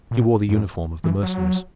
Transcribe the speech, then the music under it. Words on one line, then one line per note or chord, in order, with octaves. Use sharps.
He wore the uniform of the Mercenaries.
A#2
F#2
E3
F#3